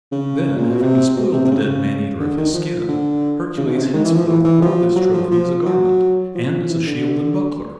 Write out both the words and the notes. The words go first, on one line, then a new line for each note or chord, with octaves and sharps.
Then, having despoiled the dead man-eater of his skin, Hercules henceforth wore this trophy as a garment, and as a shield and buckler.
C#3
A#2
B2
C3
B2
C3
C3
C#3
D3
D#3
F3
D3
C#3
B2
C3
C#3
D#3
E3
F3
E3
E3
F3
F#3
F3
F3
F#3
F3
E3
D3